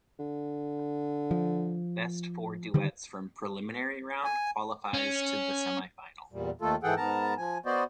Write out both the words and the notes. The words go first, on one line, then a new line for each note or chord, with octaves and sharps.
Best four duets from preliminary round qualifies to the semifinal.
D3
F3
D3 D#3 G3
G#5
C#4
E2 A#2 G3
D#2 D#3 A3 F4 A4
G#2 E3 G#4 A4 F#5 G5
G#2 B3 A#4 A5 A#5
F3 G#5
B3 F#4 C5 D5 D#5